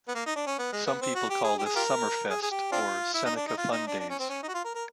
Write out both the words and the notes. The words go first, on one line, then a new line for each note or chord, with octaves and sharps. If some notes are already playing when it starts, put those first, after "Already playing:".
Some people call this "Summer Fest" or "Seneca Fun Days".
B3
A#3
D#4
D4
C#4
B3
G#3
B3
C4
F#4
G4
G#4
G4
G#4
F4 G4 A#4
G#4
G#4
G4
C4 D4 F4
E4
D#4
D4
D#4
F4
D#4
D4
D4
C#4
C4
C#4
D#4
F#4
F4
A#4
A#4